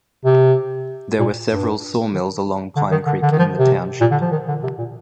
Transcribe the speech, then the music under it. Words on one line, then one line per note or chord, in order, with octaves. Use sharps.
There were several sawmills along Pine Creek in the township.
C3
A#2
G2
D#3
D3
D#3
D3
D3
D#3
F3
C3
A#2
D3
F3
D#3
D3
C3
A#2